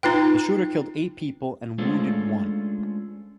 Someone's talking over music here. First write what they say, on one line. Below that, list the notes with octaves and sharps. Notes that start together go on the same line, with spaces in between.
The shooter killed eight people and wounded one.
D#4 F4 B4 G5
G#3 A3 C#4 D4 F4 C5